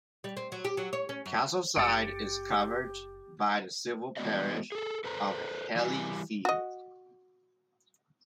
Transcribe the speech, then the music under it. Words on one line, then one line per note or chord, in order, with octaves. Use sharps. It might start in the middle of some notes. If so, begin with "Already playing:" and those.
Castleside is covered by the civil parish of Healeyfield.
G3
C4
F#3
G4
F#3
C#5
C#4
F#2
F#1 G4 A6 C#7 D7
E3 G#3 B3 F#4 D5 D#5
G#4 A4
A4 B4 C5 A#5
E3 G3 G#5
F#4 D#5